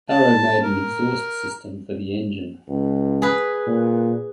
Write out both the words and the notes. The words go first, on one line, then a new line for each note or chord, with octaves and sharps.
Arrow made an exhaust system for the engine.
A5
A#4
C#2
G#4 B4
A#2